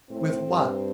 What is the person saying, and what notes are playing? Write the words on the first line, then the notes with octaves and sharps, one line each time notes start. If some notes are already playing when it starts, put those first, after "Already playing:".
"With what?"
A2 C4
G2